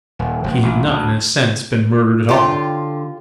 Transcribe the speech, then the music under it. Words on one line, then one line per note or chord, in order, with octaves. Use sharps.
He had not, in a sense, been murdered at all.
D#1
F1
A1
D2
D3 F4 G4 C#5 C6